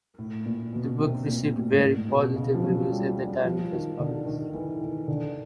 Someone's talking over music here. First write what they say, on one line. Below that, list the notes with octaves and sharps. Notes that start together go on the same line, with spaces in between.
The book received very positive reviews at the time it was published.
A2
A#2
B2
C3
A#2
A2
G#2
A2
B2
C#3
F3
F#3
G3
G3
F3
D#3
D3
D#3
E3
D#3
D3